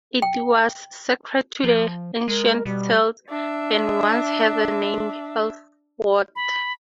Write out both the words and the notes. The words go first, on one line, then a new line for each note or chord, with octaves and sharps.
It was sacred to the ancient Celts, and once had the name "elfwort".
G5
F3
G#3 A#4
B2 G3
D4 E5
B5